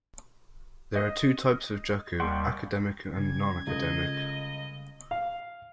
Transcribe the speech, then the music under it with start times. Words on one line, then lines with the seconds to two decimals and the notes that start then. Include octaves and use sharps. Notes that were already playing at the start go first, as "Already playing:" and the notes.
There are two types of juku, academic and nonacademic.
0.95 D#5
2.20 D#2 G3 F#5 G5 C6 C#6
3.16 C#3 G3 G#6
3.67 C#2 A4 D#5 D#6
5.11 F5